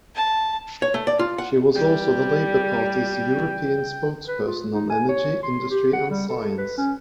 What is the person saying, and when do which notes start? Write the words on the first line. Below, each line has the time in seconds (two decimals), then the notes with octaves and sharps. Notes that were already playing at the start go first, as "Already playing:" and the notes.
She was also the Labour Party's European spokesperson on Energy, Industry and Science.
0.16 A5
0.82 C#5
0.94 A3
1.07 D5
1.19 F4
1.38 F#5
1.75 G3 G5
4.28 B4
4.46 F4
4.71 D#4
4.90 G#5
5.09 C#5
5.43 C6
5.71 G4
5.93 F#5
6.10 G3
6.29 A4
6.58 B4
6.78 C#4